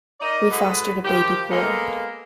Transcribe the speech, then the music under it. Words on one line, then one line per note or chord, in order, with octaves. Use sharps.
We fostered a baby boy.
D#4 A#4 D5 D#5
G#2 F#4 G#4 A4 B4
D#3 F3 G4
G#3 A#3 B3 A4 A#4